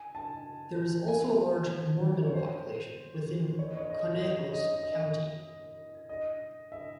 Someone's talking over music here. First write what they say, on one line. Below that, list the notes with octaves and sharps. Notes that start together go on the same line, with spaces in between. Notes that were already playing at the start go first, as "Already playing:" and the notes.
There is also a large Mormon population within Conejos County.
Already playing: G#5
A5
G#5
C#5
C5
C#5
D#5
C#5
D#5
D#5
C#5
D#5
D#5
E5
D#5
D#5
E5